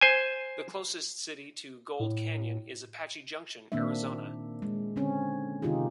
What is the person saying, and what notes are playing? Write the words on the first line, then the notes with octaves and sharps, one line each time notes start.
The closest city to Gold Canyon is Apache Junction, Arizona.
C5 G#5
A2
A#2 D#3 A#3 C4 D4 E5
G#3
D3 C4 C#4
C3 D#3 D#4 F4 G4 G#4